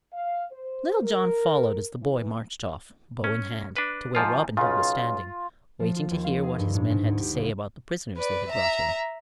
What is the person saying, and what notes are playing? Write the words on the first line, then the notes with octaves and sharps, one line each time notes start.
Little John followed as the boy marched off, bow in hand, to where Robin Hood was standing, waiting to hear what his men had to say about the prisoners they had brought in.
F5
C5
A#4
E3
C#4
D4 B4
G#2 F3 F4
B1 C#3 F4
F3
F4
D#2
F5
G#4
G2
A2
G#2
D2
G4
F#1
B4 D5
E5 A#5